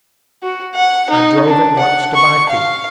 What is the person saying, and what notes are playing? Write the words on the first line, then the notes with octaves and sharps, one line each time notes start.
I drove at once to Byfield.
F#4
F#5
D#4
D4
F#5
C#6
F5